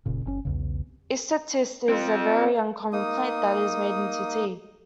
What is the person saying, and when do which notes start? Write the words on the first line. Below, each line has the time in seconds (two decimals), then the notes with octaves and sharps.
Isatis is a very uncommon plant that is made into tea.
0.06 F1 A#2 C#3
0.25 F#1 A2 C#4
0.45 B1 E2 C#3
1.89 C4 F4
2.93 A#3 D#4 D#6